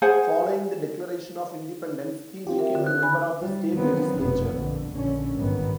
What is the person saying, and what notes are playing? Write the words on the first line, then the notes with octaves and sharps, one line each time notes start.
Following the declaration of independence, he became a member of the state legislature.
G#4 C5 F#5 G#5
C4 F4 G4
A#4 E5 G5
D3
F#6
G#5 B5
G3
D#3 F3 F#3 B3 C4
F1 F#2 B2 B3
A#1 F2 D3
A#1 A#2 D3 C#4
G#1 G2 A#2 D#3 B3